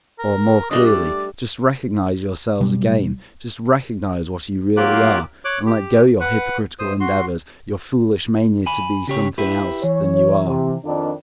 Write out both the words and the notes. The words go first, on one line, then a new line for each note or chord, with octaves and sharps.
Or, more clearly: Just recognize yourselves again, just recognize what you really are, and let go your hypocritical endeavors, your foolish mania to be something else than you are.
A#4
G3 A3 D4 D#5
D5
B2 F#3 G3
F#3 A#3 F4 G4 A#4 F#6
C#5 D6 F#6
G4
B4 F#5
F#2 C5 D#6
F#4 C6
G#5 B5
C#3 G4 C#5
E4 G4 B4
E3 C#5
C3
F2 D#3 D4